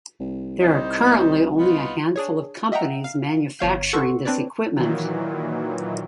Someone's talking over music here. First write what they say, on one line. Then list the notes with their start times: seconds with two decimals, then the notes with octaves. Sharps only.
There are currently only a handful of companies manufacturing this equipment.
0.20 C2
0.60 G3 D#4 C5
1.59 B3 D#4 F4
2.16 D4 G#4 C#5
2.72 D#5 E5 F#5 G5 A#5
3.04 F5
3.59 G1 C#5 F5 G6
3.93 F#4 A4 F#5 C6 C#6 E6
4.25 C4 D4 B4 C#5 D5
4.76 A#2 D#3 E3 F#3